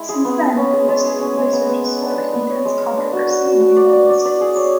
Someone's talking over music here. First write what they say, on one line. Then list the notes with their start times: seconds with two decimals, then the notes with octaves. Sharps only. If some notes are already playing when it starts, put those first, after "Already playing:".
Since then, this type of research has sparked intense controversy in the United States.
Already playing: G#3 E4
0.09 G#4
0.25 B3
0.41 B3
0.57 C#4
0.73 G#4
0.88 G#3
1.04 G#4
1.21 C#4
1.37 G#3
1.53 B3
1.69 B3
1.85 B3
2.01 D4
2.17 G#3
2.33 B3
2.49 C#5
2.65 G#3
2.81 C#5
2.97 D4
3.13 F#4
3.29 F#4
3.45 F#4
3.61 F#4
3.76 D5
3.93 D5
4.09 D5
4.25 D5
4.41 G#4
4.56 C#5